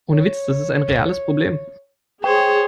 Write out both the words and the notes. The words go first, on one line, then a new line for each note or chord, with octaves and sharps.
Ohne Witz, das ist ein reales Problem.
C#5
G#4 C5 C#5 G5